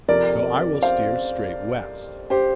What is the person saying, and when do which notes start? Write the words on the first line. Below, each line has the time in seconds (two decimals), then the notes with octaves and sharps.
So I will steer straight west.
0.08 F2 C3 A#4 D5
0.82 C5 F5
2.30 G4 C5